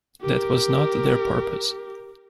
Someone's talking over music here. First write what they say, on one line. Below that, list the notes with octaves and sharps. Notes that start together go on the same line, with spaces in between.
That was not their purpose.
G4 A#4